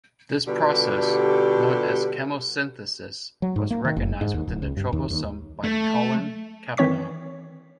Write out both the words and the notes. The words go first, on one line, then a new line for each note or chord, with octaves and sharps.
This process, known as chemosynthesis, was recognized within the trophosome by Colleen Cavanaugh.
B2 D3 G3 F4 G4 A4
F#3
G#2
A#3
D#3
F#1
G#2
D#2
D1
C#2
G2
D#2
D#2
A3
D#3 E3 C4 C#5 C#6 B6